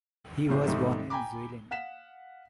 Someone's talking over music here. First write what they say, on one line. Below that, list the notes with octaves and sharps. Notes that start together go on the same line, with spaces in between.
He was born in Zuilen.
F1 C#2 A2 D3 G4 C5
G#2 D#3 G3 A3 C4 D#4
G5 G#5 A#5 B5 D6
F5 F#5 B6 E7